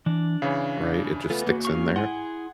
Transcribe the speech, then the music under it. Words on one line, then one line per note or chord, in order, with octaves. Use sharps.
right? It just sticks in there?
E3 D4
C#3 E3 C#5 F5
A3 B3 F4 A4
A#3 F#4
C#4 F5 C#6
E4 G#4 F#5 G#5 C6